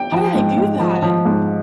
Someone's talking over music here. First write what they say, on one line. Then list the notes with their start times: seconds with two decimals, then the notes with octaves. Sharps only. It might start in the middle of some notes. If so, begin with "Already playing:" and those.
how do they do that?"
Already playing: G5
0.12 F3
0.35 G#2
0.58 G#2
0.80 F3
1.02 F3
1.25 G#2